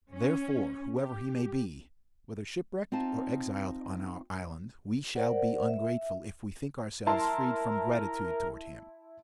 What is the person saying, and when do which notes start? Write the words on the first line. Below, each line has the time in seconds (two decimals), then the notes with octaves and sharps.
Therefore, whoever he may be, whether shipwrecked, or exiled on our island, we shall be ungrateful, if we think ourselves freed from gratitude towards him.
0.13 C#4
0.96 G4
2.92 C4 D#4 F4 A5
5.15 A#4 C5 D5 F#5
5.68 E5
7.07 E4 A#4 A5 C6